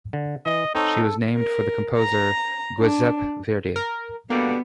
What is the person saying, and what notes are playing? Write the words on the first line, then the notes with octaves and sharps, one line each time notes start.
She was named for the composer Giuseppe Verdi.
D3
E3 D#5
C4 D#4 A4 C#5
A#4
A#5
D4
A#4
B2 D3 G3 A#3 B3